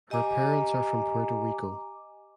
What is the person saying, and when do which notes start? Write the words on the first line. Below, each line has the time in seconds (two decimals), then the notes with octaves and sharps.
Her parents are from Puerto Rico.
0.10 G4 D#5 G#5 A#5 D6